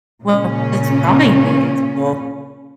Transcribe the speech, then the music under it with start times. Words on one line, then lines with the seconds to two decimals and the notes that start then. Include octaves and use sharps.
Well, just drawing things o
0.24 A#2 C#3 C#4